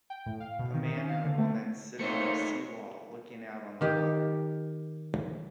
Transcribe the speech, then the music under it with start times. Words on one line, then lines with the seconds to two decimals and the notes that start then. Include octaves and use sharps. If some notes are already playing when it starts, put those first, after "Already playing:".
A man and a woman sitting on a sea wall looking out on the water.
0.10 G5
0.26 A2
0.40 F5
0.59 B2
0.74 D#3
0.85 D#3
0.97 C#4
1.09 F5
1.24 D3
1.38 A3
1.99 A3 A#3 C4 D#4 C5 C#5 C#7
3.81 D#3 G4